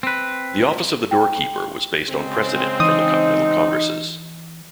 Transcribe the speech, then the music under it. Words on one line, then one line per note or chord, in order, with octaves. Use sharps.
The Office of the Doorkeeper was based on precedent from the Continental Congresses.
C4 B4
G5
C#3 G#3 C4
E3 D#4 D#6